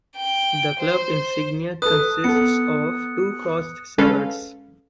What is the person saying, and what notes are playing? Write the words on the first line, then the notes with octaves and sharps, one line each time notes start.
The club insignia consists of two crossed sabres.
G5
C5
A4 B4 D#6 F#6
B3 A4 C#7
G#3 C#4 A4 B4 F5